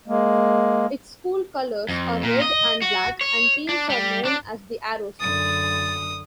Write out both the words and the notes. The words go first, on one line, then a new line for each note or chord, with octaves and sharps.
Its school colors are red and black, and teams are known as the Arrows.
G#3 A#3
F2
A#2
D#5
F#4
C#5
D4
G3
D4
F#2 D3 D#6 A6